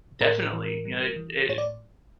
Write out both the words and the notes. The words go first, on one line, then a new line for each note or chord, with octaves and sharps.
Definitely. You know, it it
A2 A#4
E3
G3
E3
A2 C#5
D5